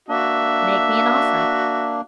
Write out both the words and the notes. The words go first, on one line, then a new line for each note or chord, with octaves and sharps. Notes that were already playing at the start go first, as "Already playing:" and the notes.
"Make me an offer."
A#3 D4 F#4 E5